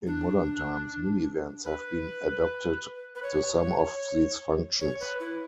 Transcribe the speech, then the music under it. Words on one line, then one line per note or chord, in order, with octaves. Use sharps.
In modern times minivans have been adapted to some of these functions.
D4
B4
B4
C#5
C#5
B4
E4